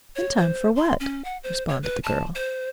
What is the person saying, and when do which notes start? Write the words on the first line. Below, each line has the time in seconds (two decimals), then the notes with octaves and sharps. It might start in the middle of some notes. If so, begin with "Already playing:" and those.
"In time for what?" responded the girl.
0.16 C#5
0.37 C5
0.76 C6
1.00 C#4
1.25 F#5
1.44 C5
1.69 C#5
1.83 B4
2.04 A5
2.35 C5